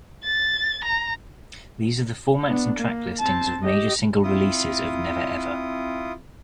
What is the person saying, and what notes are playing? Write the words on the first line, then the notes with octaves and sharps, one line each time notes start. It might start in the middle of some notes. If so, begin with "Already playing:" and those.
These are the formats and track listings of major single releases of "Never Ever".
A6
A#5
B3 D4
A#3
C4 A5
G4 D#5
C4 E4 F4 D#6